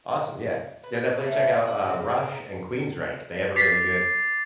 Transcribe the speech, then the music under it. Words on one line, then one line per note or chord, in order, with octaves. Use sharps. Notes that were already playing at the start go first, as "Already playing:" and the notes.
Awesome. Yeah. Yeah, definitely check out, uh, Rush and Queensrÿche, they have a really good
B4
E3 A3 C#4
D5 F#5
C#3 A#3 C4
G#4 A#4 G#5
D6 A6 B6 C7